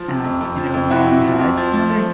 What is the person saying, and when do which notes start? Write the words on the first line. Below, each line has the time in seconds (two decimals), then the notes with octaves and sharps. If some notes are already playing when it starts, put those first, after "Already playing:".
and I just, you know, in my own head. So, I'm wondering,
Already playing: F3
0.08 C3
0.25 F2
0.41 F2
0.58 F3
0.74 F2
0.91 C3 E4 F#4
1.07 C3
1.24 F3
1.40 F2
1.57 F3
1.73 F3
1.90 A3